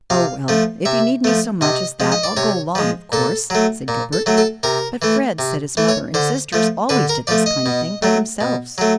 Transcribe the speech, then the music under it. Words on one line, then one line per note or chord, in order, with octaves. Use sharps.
"Oh, well, if you need me so much as that I'll go along, of course," said Gilbert, "but Fred said his mother and sisters always did this kind of thing by themselves."
C3 F5
F3 A3
C3 E5
F3 A3
C3 D#5
F3 G#3
D#5
D5
C3 C#5
F3 G#3
A#2 A4
F#3 A3
A#2
A4
F#3 A3
A4
C3 A#4
E3 A3
C3
E3 A3
C#5
D3 C5
F3 A3
D3 B4
A#4
F3 A3 D5
D#5
B2
F#3 A3
B2
F#3 A3